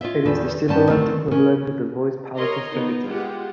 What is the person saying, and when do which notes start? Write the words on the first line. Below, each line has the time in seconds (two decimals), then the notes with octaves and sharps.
It is the sibilant equivalent of the voiced palatal fricative.
0.01 F4 C#5 D#5 E5
0.26 E2 D#3 G3 A4 B4
0.68 G2 G3 C#4 F#4 G4 A5
0.90 D#3 A3 C4
1.31 C#4 A#4
2.37 A#4 C#5 D#5 A#5 C6
2.74 B3 D#4
3.09 G#3 F4 G4 F#5